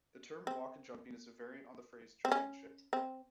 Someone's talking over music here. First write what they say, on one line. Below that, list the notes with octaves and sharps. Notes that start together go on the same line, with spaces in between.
The term waka-jumping is a variant on the phrase "jumping ship".
C4
C4
C#4
C4